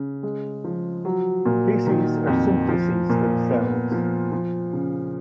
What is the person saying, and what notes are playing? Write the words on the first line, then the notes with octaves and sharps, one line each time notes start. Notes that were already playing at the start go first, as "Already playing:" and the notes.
Faces are simplices themselves.
Already playing: C#3
G#3
F3
F#3
A#2
D#3
F2
F3
A#2
B3
F3
F3
C#3